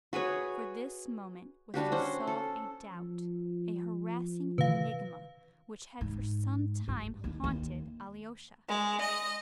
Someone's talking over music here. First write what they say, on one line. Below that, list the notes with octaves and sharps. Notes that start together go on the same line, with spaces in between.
For this moment was to solve a doubt, a harassing enigma which had for some time haunted Alyosha.
F#4 G#4 B4 C#5
G3 D4 F#4 G4
C#4 C5 F#5
A4
F3
C3 D#3 E3 B4 F5
G#2
G2
D#2 D4
D#2
G#3
D#5